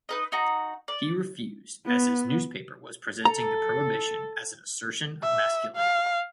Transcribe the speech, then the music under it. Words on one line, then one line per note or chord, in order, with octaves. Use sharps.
He refused as his newspaper was presenting the prohibition as an assertion of masculinity.
D#4 B4 D#5
D#4 F#4 A#5
D5
B3
A4 A#5
E5
F5